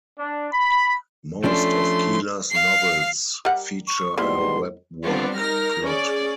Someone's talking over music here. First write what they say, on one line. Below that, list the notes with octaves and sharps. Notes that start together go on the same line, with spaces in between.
Most of Keeler's novels feature a webwork plot.
D4
B5
F3 A3 C#4 D4 C6
F5 C7
G3 A#4 F#5
C#6
G#2 B2 G3 A#3 E4 C6
G3 B3 C4 D4 F4
D#4 A#4 F6 A#6
C#4 G#4 D5